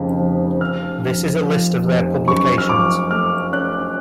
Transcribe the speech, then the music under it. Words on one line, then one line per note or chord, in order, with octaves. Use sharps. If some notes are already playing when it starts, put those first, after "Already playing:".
This is a list of their publications.
Already playing: F1 F2 C#3
F1
F1 F6
F2
F3
F1
F#2 C#6
F6
F3 D6
A3 F6
C#4 F#6